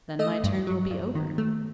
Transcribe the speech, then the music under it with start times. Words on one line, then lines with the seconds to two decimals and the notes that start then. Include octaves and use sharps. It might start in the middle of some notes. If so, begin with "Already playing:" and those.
Then my turn will be over.
0.19 A3 D#5
0.43 G2
0.67 F#3
0.91 G2
1.15 D#3
1.38 A3